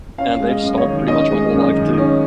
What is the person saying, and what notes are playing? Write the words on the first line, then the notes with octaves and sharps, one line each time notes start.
And they've stunk pretty much my whole life too.
C#4 F5
G#3
D#5
F#2
C#5
D#3
C#4 D#5
G#3
F#2
D#3
C#4